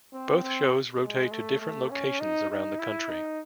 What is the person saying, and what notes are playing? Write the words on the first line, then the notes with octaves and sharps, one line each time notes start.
Both shows rotate to different locations around the country.
C4
C4
G#3
A3
A3
C#4
D#4
D#4
E4
D#4